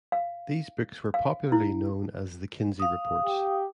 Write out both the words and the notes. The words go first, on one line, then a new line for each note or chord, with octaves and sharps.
These books were popularly known as the "Kinsey Reports".
F5
F5
E4
F5 D#6
G4